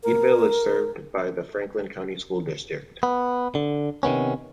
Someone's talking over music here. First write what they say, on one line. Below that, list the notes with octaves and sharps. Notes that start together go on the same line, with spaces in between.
Meadville is served by the Franklin County School District.
A#4
B3
D3
C3 D#3 B3 C#4